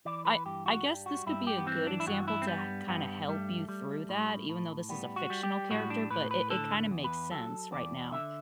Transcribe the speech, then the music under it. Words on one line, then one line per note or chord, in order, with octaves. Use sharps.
I I guess this could be a good example to h kinda help you through that, even though this is a fictional character, but it it kinda makes sense right now.
E3 D5
B4
G2 G4
F#4
G3
F#4
G2 E4
G4
B3
E3 C4
D4
E4
G2 F#4
E4
C4
G3 B3
G2 B3
G3 A3
G3
A2
A2
G3 B3
F#4
G3
G4
A2 F#4
D4
A2 B4
B4
D3 A4
E2
B4
F#3 A4
E2 D5
D3 E5